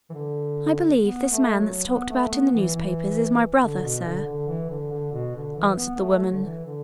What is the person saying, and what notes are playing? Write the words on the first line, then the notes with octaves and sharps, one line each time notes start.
"I believe this man that's talked about in the newspapers is my brother, sir," answered the woman.
E3
D3
B3
A3
F#3
B3
A3
B3
E3
E3
D3
B2
D3
D3
E3
D3
D3
B2
D3
E3
B3
B3
A3
F#3
D3
E3
D3